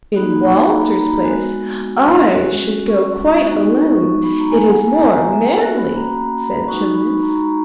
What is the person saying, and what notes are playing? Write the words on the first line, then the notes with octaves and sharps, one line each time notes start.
'In Walter's place I should go quite alone, it is more manly,' said Jonas.
A#3 D#4 F#4 B5
B5
B5
A#5
B5
A#5
B5
G#3 B3 F#4
G#3 C#4 F#4
C#6
G#3 B3 D#4 F#4
C#6
B5
A#5
B3 E4 G#5
F#5
G#5
A#5
E5
A#3 C#4 F#4 F#5
B5
A#5
A#5
B5
G#3 D#4 F#4 C#6
B5
A#5
A#5